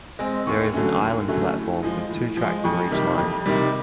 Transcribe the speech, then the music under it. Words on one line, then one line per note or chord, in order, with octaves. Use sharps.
There is an island platform with two tracks for each line.
G#3 C4
D#2 C#6
D3 F#3 A3 C#4
D#2
D3 F#3 A3 C#4
A2
F3 G#3
A2
F3 G#3
F2 C#6
C3 D#3 G3
F2
C3 D#3 G3